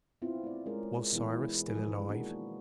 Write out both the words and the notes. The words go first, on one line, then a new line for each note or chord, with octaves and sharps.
Was Cyrus still alive?
B3 C4 E4 F4
A3 D5
G#3 A3 C#4 G#4 A#4
B2 E3 G#3 B3 E4 G#4
D#3 F3 G#3 D#4 G#4 B4
F3 A#3 B3 D4 F#4